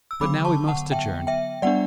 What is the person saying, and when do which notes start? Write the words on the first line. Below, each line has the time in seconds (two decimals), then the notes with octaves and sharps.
But now we must adjourn.
0.11 E6
0.21 D3 F#3 B3 B5 D6
0.45 A5 C#6
0.68 F#5 A5
0.91 E5 G5
1.27 E5 G5
1.62 G3 B3 D4 D5 F#5